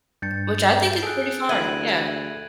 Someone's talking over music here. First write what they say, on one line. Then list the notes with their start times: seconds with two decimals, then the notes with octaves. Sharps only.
which I think is pretty far. Yeah.
0.22 G2 G6 A6 C#7
1.03 G#4 A4 F#6 D7
1.49 D2 E4 G#6 D#7 F#7